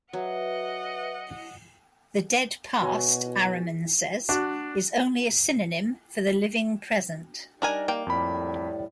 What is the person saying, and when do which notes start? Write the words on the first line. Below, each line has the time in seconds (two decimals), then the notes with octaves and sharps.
The dead past, Araman says, is only a synonym for "the living present".
0.13 F#3 B4 D#5 E5 F#5
2.81 B2 F#4 C#5 G#5
4.29 D4 F#4
7.62 G3 D4 D#4 A#4 G#5
7.88 A#3 G5
8.07 F2 A2 G3 B5